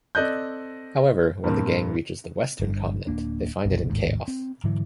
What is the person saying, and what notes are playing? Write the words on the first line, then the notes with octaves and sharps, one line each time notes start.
However, when the gang reaches the western continent, they find it in chaos.
C4 A4 D5 D#5 F#6 G6
G2 A#2 A#3 C4
G1 G2
D1 A#2 A#3 D4
F#1 C2 B2
A1 D#2 G#2
C4
G#2 D3 E3 F#3